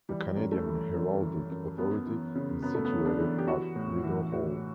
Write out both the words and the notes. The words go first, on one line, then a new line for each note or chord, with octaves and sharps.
The Canadian Heraldic Authority is situated at Rideau Hall.
E3 G3
F#2
A3
E3
F#2
E3
F#2
F#2 B3
E3
C#3
F#2 B3
A3
B3
F#2
D4
E3
G4
E3 F#4
A2
E3
A2 F#4